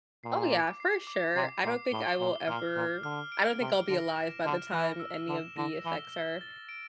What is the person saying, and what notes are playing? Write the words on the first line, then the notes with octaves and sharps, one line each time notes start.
Oh yeah, for sure. I don't think I will ever I don't think I'll be alive by the time any of the effects are,
A#2 C7
D6
C7
D6
C3 C7
A#2 C7
A2 G7
A#2 G7
A#2 F6
A#2 F6
D3 F6
D7
C3 G7
D3 A#6
E7
D3 F6
E3 A#6
E6
D3 E7
D3 A#6
E3 G7
G7
A6
D7